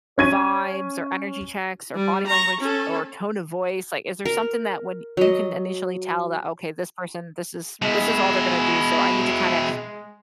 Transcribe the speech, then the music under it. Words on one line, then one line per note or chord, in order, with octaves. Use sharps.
vibes or energy checks, or body language, or tone of voice? Like, is there something that when you can initially tell that, "Okay, this person, this is this is all they're gonna do, so, I need to kinda
C#4 G#6 D#7
G3
A#5 C#6
C#4 A4
A#4
F#3 D#5
B2 G#3 E4